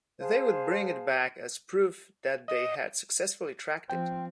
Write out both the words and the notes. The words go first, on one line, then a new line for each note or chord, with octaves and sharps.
They would bring it back as proof that they had successfully tracked it.
G#4 C5 F5 A5
D#5
F3 C4 G5